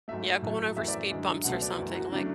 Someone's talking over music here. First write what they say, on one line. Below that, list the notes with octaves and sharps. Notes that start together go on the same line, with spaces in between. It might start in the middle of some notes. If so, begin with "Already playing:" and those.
yeah, going over speed bumps or something, like
G#2 F#3 A3 E5
A2 F#3 A3
F#2 E3 A3 E5
D5
E5
F#2 D3 G#3
C#2 B2 F#3 A3 F#5
E5
D5
F#2 E3 A3
E4
F#4
C#3 F#3 A3 D4